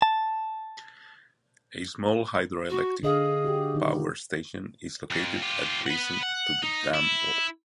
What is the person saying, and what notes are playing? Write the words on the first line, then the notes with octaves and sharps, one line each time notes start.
A small hydroelectric power station is located adjacent to the dam wall.
A5
F#4
D3 G#4 D#5 F5
F#4 G4
D#3 D#4
F2
F4 G4
B4 F#5
F#5
D#4
E4